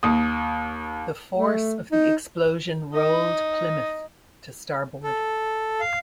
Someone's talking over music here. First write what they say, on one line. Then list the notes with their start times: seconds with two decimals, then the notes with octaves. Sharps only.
The force of the explosion rolled "Plymouth" to starboard.
0.03 D#2 D#6
1.36 A3
1.92 D#4
2.94 D#4 D#5
5.03 A4
5.81 F5